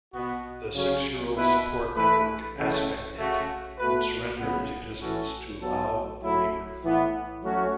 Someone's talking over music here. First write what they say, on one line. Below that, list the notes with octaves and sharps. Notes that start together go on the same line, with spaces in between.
The six-year-old support network AspectNet would surrender its existence to allow the rebirth.
B2 B3 F#4
C#3 F#3 C#4
B2 B3 E4 B4
E3 A3 E4 B4
C#3 E3 A3 C#4
C#3 A3 F#4
B2 A3 F#4 B4
C#3 F#3 B3
A2 E3 C#4 F#4 A4
F#3 B3 A4
F#3 A3 E4
A2 E3 B3 E4
F#3 A3 C#4 F#4